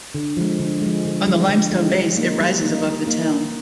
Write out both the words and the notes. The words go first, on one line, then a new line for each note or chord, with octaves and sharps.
On the limestone base it rises above the town.
D3
F3 G#3
D3
F3 G#3
D3
F3 G#3
D3
F3 G#3
G3
A#3 D#4
G3
A#3 D#4
G3
A#3 D#4